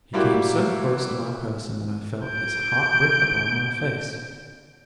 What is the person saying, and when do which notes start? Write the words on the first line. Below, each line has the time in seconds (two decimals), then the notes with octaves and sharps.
He came so close to my person that I felt his hot breath upon my face.
0.13 F#3 G3 A#3 E4 F#4 G4
2.25 G6 D7